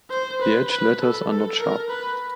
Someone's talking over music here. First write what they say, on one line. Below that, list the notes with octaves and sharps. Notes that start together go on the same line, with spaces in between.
The edge letters are not sharp.
C5
B4
B4
A4
A4
A#4
B4